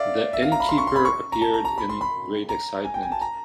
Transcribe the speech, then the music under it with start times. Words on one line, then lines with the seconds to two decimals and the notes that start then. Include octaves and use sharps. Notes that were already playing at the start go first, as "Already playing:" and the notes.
The innkeeper appeared in great excitement.
Already playing: D5 E5 F5
0.33 E5
0.42 F5
0.52 A#5
0.60 B5
0.69 C6
0.78 C#6
0.87 C6
0.96 B5
1.05 C#6
1.32 A#5
1.41 A5
1.54 A#5
1.65 A#5
1.78 B5
1.89 C6
2.01 B5
2.49 A#5
2.85 G#5
2.94 G5
3.03 G#5
3.12 A5
3.21 A#5